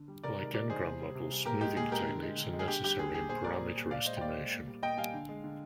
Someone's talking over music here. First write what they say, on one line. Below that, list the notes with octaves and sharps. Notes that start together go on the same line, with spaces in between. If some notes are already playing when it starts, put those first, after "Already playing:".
Like N-gram models, smoothing techniques are necessary in parameter estimation.
Already playing: D3
G3
C3 A#4 D5
D#3 G#3 A#4 D5
C3 A#4 D5
D#3 G#3 G#4 C5
C3
G3
C3
G3
A#2 G4 A#4
G#3 G4
A#2 G#4
G#3 G4 A#4
D3
G#3
D3
G#3
G#4
D3 G4
G3 G4
D3 G#4
G3 G#4
A#2 G#4 C5
G3 A#4 D5
A#2
G3
A#2 D5 F5
G#3 C5 D#5
G5
A#2 D5 F5
G#3
A#2
G3
A#2 D#5 G5
G3 F5 G#5
D3
G#3
D3